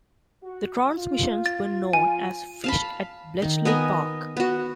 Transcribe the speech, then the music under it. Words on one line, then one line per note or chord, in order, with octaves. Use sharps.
The transmissions were known as Fish at Bletchley Park.
F#4
F4
A6
F3 F4 G#5
F5 A5 B5
D#3
B3 A#4 D#5 G#5
B3 F#4